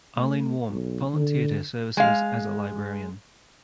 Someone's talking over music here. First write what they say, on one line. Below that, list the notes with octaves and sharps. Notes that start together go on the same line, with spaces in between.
Arlene Warm volunteered her services as a librarian.
A3
B1
D3
G#3 F5